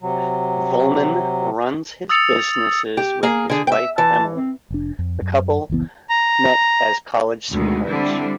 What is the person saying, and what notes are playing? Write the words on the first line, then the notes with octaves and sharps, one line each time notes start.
Volman runs his businesses with his wife Emily; the couple met as college sweethearts.
C3 F#3
D#6 E6 A6 C#7 F7
G4
A#3 G#4
D3 G#4
E5 G5
E3 A5
C4
F1 D4
F2
F#2
F#1 C#2 E3 B3
A#5
D2 B2 D#3 G#3
D3 G3 C4 D4 E4